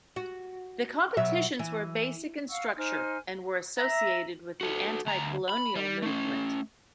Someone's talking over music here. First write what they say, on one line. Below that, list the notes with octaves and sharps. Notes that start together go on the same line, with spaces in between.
The competitions were basic in structure, and were associated with the anti-colonial movement.
F#4
B2 F#3 E5
E3
F5 F#5 C#6 E6
D#4 C5 G#5 F6
E5 A#5
F#4 A4
D2 A#5
B5
G3
A3 C#4